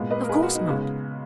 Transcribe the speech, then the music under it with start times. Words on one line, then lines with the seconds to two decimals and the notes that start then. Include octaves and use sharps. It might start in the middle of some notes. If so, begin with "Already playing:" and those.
Of course not!
Already playing: A#2 G#3 B3
0.11 B4 D#5
0.24 A#4
0.29 G#4 B4
0.43 F#4 A#4
0.55 D#4
0.67 C#3 G#3 B3